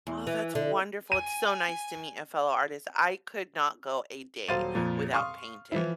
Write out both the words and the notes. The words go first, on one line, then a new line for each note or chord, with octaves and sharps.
Oh, that's wonderful! It's so nice to meet a fellow artist. I could not go a day without painting.
E2
E3
D3
G#5 D#7
D#1 F#3 C5 F5 A6 D#7
F2 A#2
F5 C6 C#6 D#6 F6
E3 F3 E4